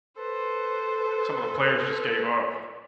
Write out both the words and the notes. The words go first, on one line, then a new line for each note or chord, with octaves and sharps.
some of the players just gave up.
A4 B4 C5